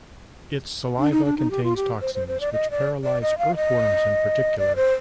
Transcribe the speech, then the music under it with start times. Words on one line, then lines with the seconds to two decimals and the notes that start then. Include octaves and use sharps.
Its saliva contains toxins which paralyze earthworms in particular.
0.98 D4
1.12 D#4
1.25 D4
1.37 D#4
1.51 G4
1.63 F4
1.76 G4
2.01 C5
2.15 C5
2.28 C5
2.40 D5
2.53 D#5
2.71 D5
3.04 D5
3.22 D#5
3.38 F5
3.56 D#5
4.58 D5
4.76 C5